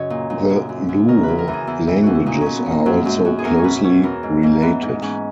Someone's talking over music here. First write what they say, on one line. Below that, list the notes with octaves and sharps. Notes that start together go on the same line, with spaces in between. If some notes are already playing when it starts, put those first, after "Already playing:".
The Luo languages are also closely related.
Already playing: F#2 C#3 C#5 D#5
A#2
A#2
F#2
F#2
F#2
C#3 A#4
B4
F#2
A#4
E3
G#4
E2 E4
E3
E2 F#4
E4
A#2 D#4
C#4
A#2
B3
A#2 A#3
F#2 F#3
F#2 G#3
F#2 F#4
G#4
E2 A#4
C#5
B2 B4
B2 C#5
E3 A#4
G#2
G#2 A#3
E3 B3
G#2 D#4
G#2 C#4